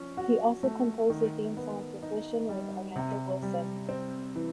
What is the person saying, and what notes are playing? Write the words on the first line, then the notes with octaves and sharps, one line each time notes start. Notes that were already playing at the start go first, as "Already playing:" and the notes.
He also composed the theme song for "Fishin' with Orlando Wilson".
Already playing: F3 C#4
F#4
A3
D#3
B3
D#4
G3
C3
G3
C4
E3